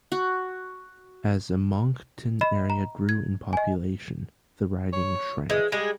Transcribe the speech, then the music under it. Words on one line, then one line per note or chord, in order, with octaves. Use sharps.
As the Moncton area grew in population, the riding shrank.
F#4
D#5 B5
A#5
G#6
D#5 G#5
C#5
E3 G#3
G3 G#3 G#4